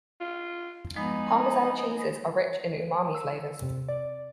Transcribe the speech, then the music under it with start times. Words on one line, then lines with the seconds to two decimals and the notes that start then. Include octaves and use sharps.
Parmesan cheeses are rich in umami flavors.
0.20 F4
0.96 F3 G#3 B3 D#4 G#5 B5
3.15 E6
3.62 C3
3.89 D5